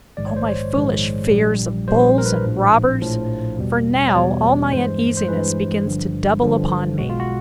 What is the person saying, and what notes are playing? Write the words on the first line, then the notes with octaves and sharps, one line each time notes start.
O my foolish fears of bulls and robbers!--For now all my uneasiness begins to double upon me.
A#1 G#2 D#3 G#3 D5
C#5
C5
C#5
A#1 G#2 D#3 G#3
A#1 A#2 G3
A#1 A#2 G3 C5
A#4
B4
A#1 A2 F3
A#1 A2 F3
E2 B2 G3
C#5
E2 B2 G3 D5
G2 E3 G#3 C5
C5
G2 E3 G#3 B4
G1 G2 D3 F3
G1 G2 D3 F3
B1 B2 G#3 F#4
F4
F#4